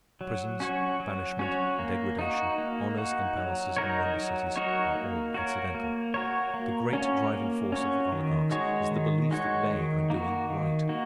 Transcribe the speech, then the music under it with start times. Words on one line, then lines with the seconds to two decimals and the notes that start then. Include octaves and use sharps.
Prisons, banishment and degradation, honors and palaces and wonder-cities, are all incidental. The great driving force of the oligarchs is the belief that they are doing right.
0.21 F#3
0.60 C#4 F#4 C#5
1.00 F#3
1.39 C#4 F#4 C#5
1.79 A#3
2.19 D#4 F#4
2.58 A#3
2.97 D#4 F#4
3.37 F#3
3.77 D#4 F#4 A#4 C#5
4.17 F#3
4.56 D#4 F#4 A#4 C#5
4.95 A#3
5.34 F#4 A#4 C#5
5.75 A#3
6.14 F#4 A#4 C#5
6.54 A#3
6.93 C#4 F#4 C#5
7.33 A#3
7.72 C#4 F#4 C#5
8.12 D#3
8.51 G#3 F#4 C#5
8.91 D#3
9.31 G#3 F#4 C#5
9.71 D#3
10.10 A#3 F#4
10.50 D#3
10.89 A#3 F#4